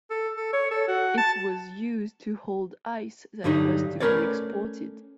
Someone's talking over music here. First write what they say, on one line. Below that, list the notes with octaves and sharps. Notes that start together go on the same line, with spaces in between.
It was used to hold ice that was to be exported.
A4
A4
C#5
A4
F#4
A5
G2 D3 F#3 G3 C4 D#4
A3 C#4 A#4 B4 C#5 D5